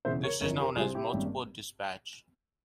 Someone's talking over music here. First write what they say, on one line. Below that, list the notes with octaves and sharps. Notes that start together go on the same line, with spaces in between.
This is known as "multiple dispatch".
E1 E2 C#3 C5 E5
A#4 C#5
G1 F2 E3 A#4 C#5
G4 A#4
C2 C3 G3 C4 F4 G#4
E4 G4
G#1 G2 G3 A#3 C#4